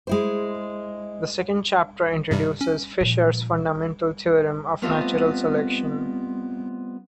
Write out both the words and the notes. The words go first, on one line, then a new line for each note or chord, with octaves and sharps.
The second chapter introduces Fisher's fundamental theorem of natural selection.
G#3 E4 C5
G2 C3 G3
C#4
A#2 F3
G3 A3 B3 C4 F4 D#5